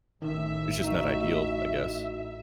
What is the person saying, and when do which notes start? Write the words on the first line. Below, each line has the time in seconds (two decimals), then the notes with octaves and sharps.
it's just not ideal, I guess.
0.22 A1 D#3 E5
0.84 D#4 F#4